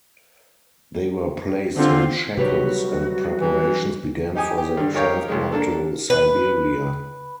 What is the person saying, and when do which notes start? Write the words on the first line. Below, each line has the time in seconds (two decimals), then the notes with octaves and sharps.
They were placed in shackles, and preparations began for their transport to Siberia.
1.76 D3 C4 F4
2.37 C3 F#3 G3 F#4 G4 B4 C#5
3.41 E3
4.35 D#4 G4 G#5 D#6
4.58 G4
4.77 G2 D3
4.94 D#4 G4 A#4 C#5 F5 G5
5.28 C2 G#3
5.53 A#3 D4 A4
6.10 B4